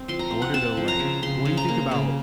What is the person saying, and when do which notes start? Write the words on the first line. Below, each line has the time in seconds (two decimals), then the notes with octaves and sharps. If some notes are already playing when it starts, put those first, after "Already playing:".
I wonder, though, like, what do you think about
Already playing: C4
0.08 F3 C6
0.19 A#5
0.30 C4
0.42 F#5
0.54 C4 A5
0.77 F3
0.88 A#5
0.99 C#3
1.23 C#3 C6
1.45 C#3
1.57 A#5
1.69 A#3
1.91 C#3